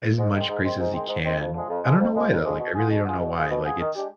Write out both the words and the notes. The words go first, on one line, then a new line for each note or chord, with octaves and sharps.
as much praise as he can. I don't know why, though, like, I really don't know why, like, it's
G#2
D#3 G#3 C4
G#2
D#3 G#3 C4
G#2
D#3 G#3 C4
G#2
D#3 G#3 C4
F2
D3 F3 G#3
F2
D3 F3 G#3
F2
D3 F3 G#3
F2
D3 F3 G#3
B2
B3 F4 G#4
B2
B3 F4 G#4
B2
B3 F4 G#4
B2
B3 F4 G#4
D#3
G#3 D4 G4